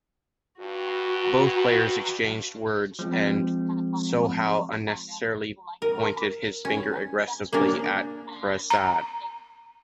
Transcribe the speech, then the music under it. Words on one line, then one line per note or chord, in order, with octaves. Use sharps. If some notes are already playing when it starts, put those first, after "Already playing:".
Both players exchanged words, and Sohail unnecessarily pointed his finger aggressively at Prasad.
G2 F#4
F3 G#3 C4
A#4
C#4
A#3 C#4 D4 A#4
A#5